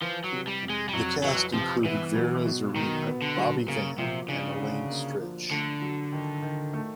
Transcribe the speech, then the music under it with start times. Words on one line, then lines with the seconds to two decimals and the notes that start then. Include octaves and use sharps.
The cast included Vera Zorina, Bobby Van, and Elaine Stritch.
0.01 E3 F3
0.24 F#3
0.32 C3
0.47 G3
0.63 F2
0.70 G#3
0.89 G3
0.93 F2 F#3
1.23 E3 F#3
1.53 C3 F3
1.85 E3 B3
2.15 F#3
2.46 B2
2.76 B2 D#3
3.07 B3
3.22 D3
3.37 F#3
3.68 C#3 A#3
3.98 C3 F3
4.28 C#3 D4
4.60 D3
4.90 A#3
5.20 F3
5.51 D3 A3
5.82 F#3
6.12 D#3
6.42 D#3
6.73 A3